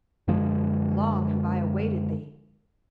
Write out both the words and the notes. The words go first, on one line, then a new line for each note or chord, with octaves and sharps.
Long have I awaited thee!'
F#2 D3 F3 G#3